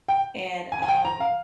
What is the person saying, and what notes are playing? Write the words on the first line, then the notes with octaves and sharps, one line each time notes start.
And, um,
G5
G#5
G#5
G5
A#5
F5